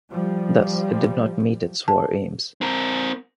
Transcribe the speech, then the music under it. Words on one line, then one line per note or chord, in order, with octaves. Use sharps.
Thus, it did not meet its war aims.
F3 G3
A5
C4 A#4